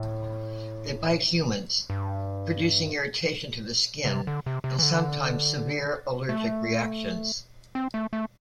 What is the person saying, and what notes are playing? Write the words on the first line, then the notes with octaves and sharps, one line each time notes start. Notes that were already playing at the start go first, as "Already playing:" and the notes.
They bite humans, producing irritation to the skin and sometimes severe allergic reactions.
Already playing: A2
G2
D3
C3
D3
C3
C3
E3
D3
A3
C4
A3
A3